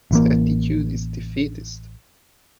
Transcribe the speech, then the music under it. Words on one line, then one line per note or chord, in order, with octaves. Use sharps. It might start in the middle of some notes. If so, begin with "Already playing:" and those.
His attitude is defeatist.
A1 E3 A#3